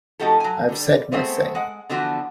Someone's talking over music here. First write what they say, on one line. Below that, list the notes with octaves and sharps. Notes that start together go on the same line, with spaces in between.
I have said my say.
F3 A3 D#4 F#4 G4 A4
F#3 G#5
D3 G3
G#3 A3 B3 C4 G#4 C5
G#3 F#5
D3 E3 F3 B3 D4 F#4